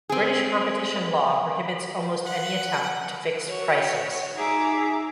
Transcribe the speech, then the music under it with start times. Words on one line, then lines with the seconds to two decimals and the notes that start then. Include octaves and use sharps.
British competition law prohibits almost any attempt to fix prices.
0.09 C4 G#4
2.25 F#5
3.46 F#4 C#5
4.35 D#4 G#4 E5 A#5 D6